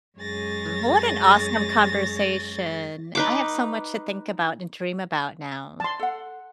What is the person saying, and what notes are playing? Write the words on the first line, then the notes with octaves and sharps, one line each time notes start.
well what an awesome conversation. I have so much to think about and dream about now.
F#2 G#3 G#4 C#5 A6 A#6
D#4 B4 D6
A5 C6
A4 F#5